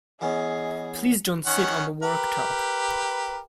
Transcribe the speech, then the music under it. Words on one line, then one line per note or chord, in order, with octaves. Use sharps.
Please don't sit on the worktop!
E3 B3 C#4 G#4 D#5
D#3 C#4 F#5
G4 A#4 B4